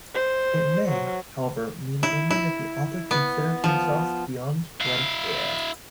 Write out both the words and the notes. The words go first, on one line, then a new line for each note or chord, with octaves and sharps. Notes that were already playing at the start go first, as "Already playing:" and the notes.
It may, however, mean only that the author considered himself Bion's poetic heir.
C5
F#3
E4
E4
B3
F3
E4 F5